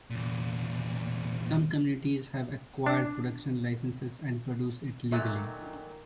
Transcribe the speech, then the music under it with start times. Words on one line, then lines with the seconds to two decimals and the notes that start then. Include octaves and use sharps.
Some communities have acquired production licences and produce it legally.
0.10 E2 A#2
2.86 D4
5.12 A#2 D#3 F#3 A3 E5